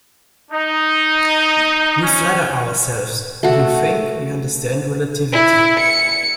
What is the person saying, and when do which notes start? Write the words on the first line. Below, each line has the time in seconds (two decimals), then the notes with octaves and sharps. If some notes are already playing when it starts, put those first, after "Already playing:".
We flatter ourselves if we think we understand relativity.
0.51 D#4
2.02 C#4
3.43 A3 F#4
5.32 E4
5.80 C#7